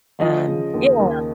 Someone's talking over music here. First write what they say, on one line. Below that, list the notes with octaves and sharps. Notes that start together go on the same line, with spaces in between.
Um, yeah.
F3 D#5
C#3
D#2
D#2